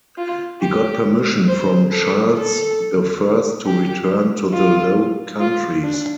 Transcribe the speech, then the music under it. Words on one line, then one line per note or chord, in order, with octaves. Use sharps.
He got permission from Charles the First to return to the Low Countries.
F4
G4
C5
A4
A4
G4
F4
F4
D4